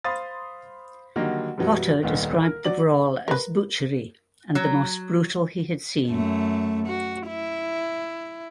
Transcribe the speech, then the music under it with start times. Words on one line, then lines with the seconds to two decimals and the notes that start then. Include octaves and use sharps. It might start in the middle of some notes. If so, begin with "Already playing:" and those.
Potter described the brawl as "butchery" and the most brutal he had seen.
0.04 C5 F5 B5 C6 D#6 A6
1.16 D3 D#3 F#3 G3 A#3
1.58 F#2 B2 E3 F#3 G3
2.02 D#1 C2 A#2 D#3 B3
2.42 A#4
2.65 F#3 D5 F#7
3.28 A#4 B4
4.55 F#3
6.10 F#2 A3
6.87 F#4
7.28 E4